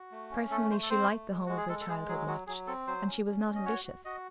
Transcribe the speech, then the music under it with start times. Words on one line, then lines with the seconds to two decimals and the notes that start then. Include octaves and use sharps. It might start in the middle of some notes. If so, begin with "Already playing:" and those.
Personally she liked the home of her childhood much, and she was not ambitious.
Already playing: F#4
0.11 A3
0.31 C#4
0.51 A3 A4
0.71 A3 C5
0.82 A4
0.90 C4 C5
1.10 A3
1.30 G#3
1.46 G#3 F#4
1.57 G#4
1.69 G#3 A4
1.81 A4
1.88 G#3 G#4
2.08 F#3 G#4
2.28 F#3 F#4
2.47 F#3 G#4
2.67 C4 A4
2.87 F#3 C5
3.07 C#4
3.26 C#4
3.45 C#4
3.55 D#5
3.66 F#4 C#5
3.85 F#4
4.05 F#4 D#5